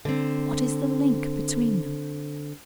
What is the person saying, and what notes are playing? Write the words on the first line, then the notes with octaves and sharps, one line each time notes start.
What is the link between them?
D3 C4